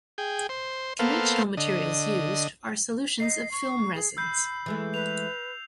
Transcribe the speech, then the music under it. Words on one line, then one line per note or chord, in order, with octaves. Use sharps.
Conventional materials used are solutions of film resins.
G#4 G5
C5
A#3 B3 A4 C5 F5
D3 D#5
D#5 C7
C#6
G#4
B5 E6 G6 C7
E3 G#3 A3
B4 F7